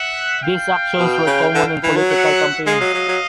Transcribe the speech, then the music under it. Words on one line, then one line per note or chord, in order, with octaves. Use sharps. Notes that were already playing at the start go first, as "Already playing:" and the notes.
This actions were common in political campaigns.
Already playing: E5 F#5
F5 G5
B2
C#3
D3
E3
F#3
E5 F#5
G#3 D#5 F5
F#3
F#3
F#3